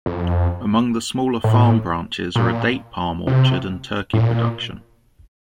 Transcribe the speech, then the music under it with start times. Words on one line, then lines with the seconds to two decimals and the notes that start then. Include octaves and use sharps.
Among the smaller farm branches are a date palm orchard and turkey production.
0.06 F2
1.44 A2
2.35 A#2
3.27 C3
4.13 A2
4.20 A#2